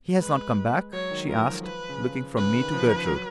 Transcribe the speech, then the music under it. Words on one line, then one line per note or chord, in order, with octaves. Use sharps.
"He has not come back?" she asked, looking from me to Gertrude.
G#3 B4
F#3 C#5
D#3
F3 A#4
F#3
F3 B4
C#3
C#3 B4
D#3
F3
F3
F#3